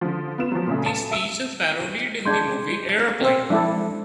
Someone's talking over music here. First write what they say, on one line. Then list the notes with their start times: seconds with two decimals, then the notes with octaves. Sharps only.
The speech is parodied in the movie Airplane!
0.01 D3 F3
0.38 B3 F4 E7
0.51 F3 F#3
0.67 A#2 C#3 A3
0.86 A5 E7
1.11 E5 E6
2.25 G#3 D4 C6 G6 G#6
3.21 C4 C5 E6
3.50 F3 G#3 D4 E4 A4